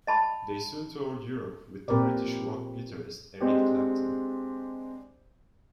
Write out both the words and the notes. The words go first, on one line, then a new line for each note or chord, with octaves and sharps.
They soon toured Europe with the British rock guitarist Eric Clapton.
D#5 A5 B5
A#2 C4 G4 A#4 B4 D5
G#3 C4 D4 G4